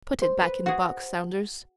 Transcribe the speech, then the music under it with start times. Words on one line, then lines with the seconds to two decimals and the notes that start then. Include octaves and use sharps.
Put it back in the box, Saunders.
0.22 C5
0.42 B4
0.66 F#4 G#4